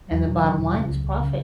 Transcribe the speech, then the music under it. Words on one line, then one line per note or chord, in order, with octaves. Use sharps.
and the bottom line is profit.
E2 F#3
E1 F#3
D3 F#3
E1
C#3
C#2
C#2
C#3